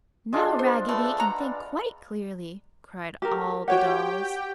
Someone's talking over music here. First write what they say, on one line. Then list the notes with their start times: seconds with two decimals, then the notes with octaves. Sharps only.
"Now Raggedy can think quite clearly!" cried all the dolls.
0.33 G#3 D4 F4
0.59 C5
0.89 A3 B4 D5
1.20 F#5 A#5
3.22 G4 A4 A#4
3.68 F#4 G4 C#5 F#5 G5